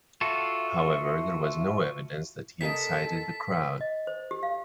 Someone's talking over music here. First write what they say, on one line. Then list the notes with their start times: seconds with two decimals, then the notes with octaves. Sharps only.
However, there was no evidence that he incited the crowd.
0.21 F4 F#4 A4 E5
2.61 C3 A4 A#4 D#5 B6
3.81 D#5
4.07 C5
4.31 G4
4.43 F5